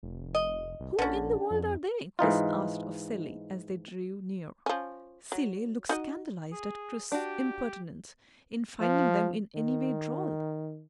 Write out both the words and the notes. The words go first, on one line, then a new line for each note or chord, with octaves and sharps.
"Who in the world are they?" Chris asked of Cilley as they drew near. Cilley looked scandalized at Chris's impertinence in finding them in any way droll.
F1
D#5
C2
A#1 D3 C#4
F2
G#2 E3 D#4 F4
F3 C#4
F#3
D#4 F#4 D#5
G#4
D4 F#4 G4
F3
D#3